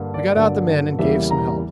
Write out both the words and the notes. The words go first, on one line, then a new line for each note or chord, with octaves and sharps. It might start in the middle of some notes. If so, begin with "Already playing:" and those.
We got out the men and gave some help.
Already playing: G2 D3 A#3
D5
G2 D3 F#3 A#3
E2 C#3 E3 G3 A#3 E5
A#5